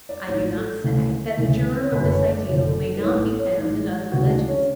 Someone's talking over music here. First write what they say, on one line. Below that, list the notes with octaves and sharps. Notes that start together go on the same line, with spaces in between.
I do not say that the germ of this ideal may not be found in other religions.
D5
A1 G#2 E3 C#5
A4
D2 C#3 E3
D2 C#3 E3
C#5
F#1 F#2 D3 B4
C#5
D5
F#1 F#2 D3 C#5
A4
A4
B4
A1 G#2 E3 C#5
A4
C#5
A1 G#2 E3 D5
D2 C#3 E3 F#4
D4
C#4